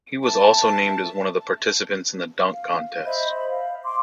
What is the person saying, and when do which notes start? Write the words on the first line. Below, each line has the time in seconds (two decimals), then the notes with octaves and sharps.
He was also named as one of the participants in the dunk contest.
0.24 E5 A5
2.52 F5
3.05 C5 D#5 E5 B5
3.36 B5
3.49 F5
3.84 C6 D6